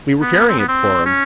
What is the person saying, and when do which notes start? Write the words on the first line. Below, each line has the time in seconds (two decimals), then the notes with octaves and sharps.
"We were carrying it for him."
0.21 B3
0.49 C4
0.59 B3
0.68 C4
1.06 C#4